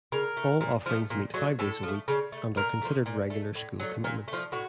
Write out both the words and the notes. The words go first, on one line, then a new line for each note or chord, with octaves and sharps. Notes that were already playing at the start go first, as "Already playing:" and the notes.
All offerings meet five days a week and are considered regular school commitments.
C#3 A#4
A3
A#2
F3 A3
A#2
F#3 A3
A2 A4
F3 A3
C#3
A3
A#2 A#4
F3 A3
A#2
A3
A2
F#3 A3
A#2
A3
F3
A2 F#4